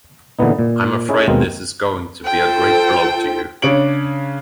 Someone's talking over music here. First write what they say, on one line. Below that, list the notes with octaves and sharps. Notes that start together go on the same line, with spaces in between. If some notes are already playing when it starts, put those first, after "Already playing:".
I'm afraid this is going to be a great blow to you.
A#2 D3 E3 B3 D#4
A#2
C#4 D#4 E4 G#4
D#2 B2 G#3 C4 A#4 F5
F4 A4 C5 G5
C#3 D4 C#5 D7 F#7